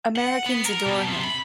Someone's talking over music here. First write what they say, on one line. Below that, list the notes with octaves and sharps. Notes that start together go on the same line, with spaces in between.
Americans adore him.
F#5
B3
A#4
B2
C3
B5